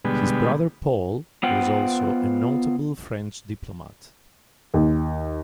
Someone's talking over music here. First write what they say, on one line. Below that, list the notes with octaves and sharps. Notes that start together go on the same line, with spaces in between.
His brother, Paul, was also a notable French diplomat.
B2 D3 G3 G#3 B3
B3 F4 C5 F#5 G5
D#2